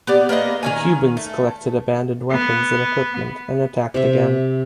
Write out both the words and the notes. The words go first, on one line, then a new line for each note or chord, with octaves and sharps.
The Cubans collected abandoned weapons and equipment and attacked again.
B3 G4 D5
A#3 B3 G#4 D#5
D#3 C#4 G#5
A3
B3
C3 E5